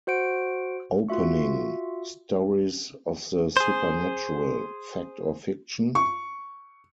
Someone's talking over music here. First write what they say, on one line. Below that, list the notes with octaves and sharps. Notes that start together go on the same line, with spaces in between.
Opening: Stories of the supernatural: fact or fiction?
F#4 C5 F#5 D7
F4 F#4 E5 C#6
G#4 C5
C#6